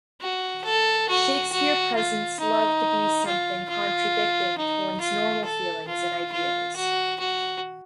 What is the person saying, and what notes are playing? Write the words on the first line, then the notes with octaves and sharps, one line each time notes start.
Shakespeare presents love to be something contradicting to one's normal feelings and ideas.
F#4
A4
F#4
F#4
F4
D#4
F4
F4
D#4
F4
A4
F4
F4
F#4
F#4